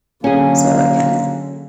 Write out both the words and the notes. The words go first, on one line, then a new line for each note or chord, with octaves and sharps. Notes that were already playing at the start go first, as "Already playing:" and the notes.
So I kinda
D3 F#3 A#3 C#4 G#4